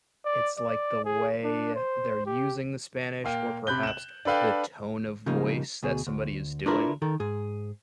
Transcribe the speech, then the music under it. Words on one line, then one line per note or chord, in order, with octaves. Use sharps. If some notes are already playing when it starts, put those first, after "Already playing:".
it's, like, the way they're using the Spanish or perhaps the tone of voice that somebody is doing.
D5
D5
G#4
D4
C5
G4
A#2 A#3 F5 G5
C3 B5 F#6 G6 G7
E7 F#7
D4 A4 B4 F5 G5
C#3 F3 G3 A#3 D#4
D2 B2 G#4
D2
D4 E4 F4 A#4 B4 D5
D#3 A4 A#4
G#2 G#4